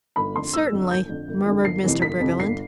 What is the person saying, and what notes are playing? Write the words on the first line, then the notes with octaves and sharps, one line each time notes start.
"Certainly," murmured Mr. Briggerland.
G1 B5
F2 D3 C6
G1 E6
F2 D3
G1 G6
F2 D3
G1
F2 D3
G1 C7
F2 C3 E3
G1 B6
F2 C3 E3
G1 C7